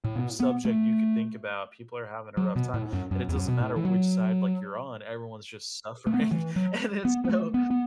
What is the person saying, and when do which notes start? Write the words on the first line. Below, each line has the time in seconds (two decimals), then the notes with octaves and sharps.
subject you could think about, people are having a rough time, and it doesn't matter which side, like, you're on, everyone's just suffering, and it's so
0.04 A2
0.15 B2
0.40 B3
0.65 A3
2.37 F#3
2.56 B2
2.74 A2
2.93 F#2
3.11 F#2
3.29 E2
3.35 F#2
3.48 B2
3.60 A2
3.76 E3
3.85 F#3
6.07 A3
6.14 B3
6.21 A3
6.31 E3
6.56 F#3
7.05 B3
7.25 B3
7.30 A3
7.54 B3
7.71 B3